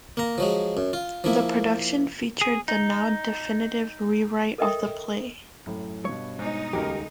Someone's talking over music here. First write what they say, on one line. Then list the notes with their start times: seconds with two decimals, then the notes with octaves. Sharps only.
The production featured the now definitive rewrite of the play.
0.17 A#3 A#5
0.38 F3 F#3 G#3
0.77 F#2
0.93 F4
1.24 F3 A#3 E4
2.41 G#4
2.68 D#4
4.58 A4 A#4 D#5 E5 G5 D#6
5.67 F#2 A2
6.05 G2 B2 C#5
6.39 G#2 D#4
6.73 D#1 C#2 F#3 A#3 G4 A#4